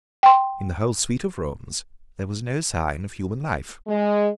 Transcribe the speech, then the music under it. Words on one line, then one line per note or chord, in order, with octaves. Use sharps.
In the whole suite of rooms there was no sign of human life.
G5 C6
G#3